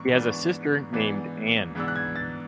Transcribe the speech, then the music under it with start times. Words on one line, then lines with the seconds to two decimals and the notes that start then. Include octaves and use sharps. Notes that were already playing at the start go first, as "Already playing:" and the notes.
He has a sister named Anne.
Already playing: G#2 E3 B3 D4 C#6
0.12 G#2 E3 B3 D4
0.93 G#2 E3 B3 D4
1.75 G#2 E3 B3 D4 E6
1.88 F#6
1.96 G#6
2.16 A6